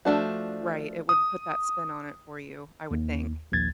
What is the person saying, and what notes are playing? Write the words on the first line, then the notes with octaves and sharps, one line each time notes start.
Right, it would put that spin on it for you, I would think.
F3 A3 D4 F#4
D#6
D#2
A#1 D#2 G#6 A6